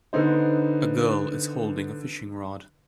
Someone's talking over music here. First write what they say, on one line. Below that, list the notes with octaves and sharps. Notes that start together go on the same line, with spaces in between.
A girl is holding a fishing rod.
D3 B3 D#4 C5